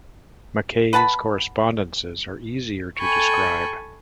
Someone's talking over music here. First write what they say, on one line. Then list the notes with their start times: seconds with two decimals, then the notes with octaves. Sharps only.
McKay's correspondences are easier to describe.
0.93 B4 F#5 A5 B5
2.98 A4 G5 G#5 B5 C#6